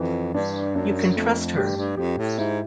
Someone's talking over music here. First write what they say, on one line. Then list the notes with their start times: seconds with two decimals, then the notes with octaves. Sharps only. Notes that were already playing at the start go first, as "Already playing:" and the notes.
You can trust her.
Already playing: F2 E3
0.34 G2 D4
0.75 F#2 D4
1.16 F2 A3
1.57 G2 G4
1.77 G2
1.97 F2 G4
2.18 A2
2.39 G#2 E4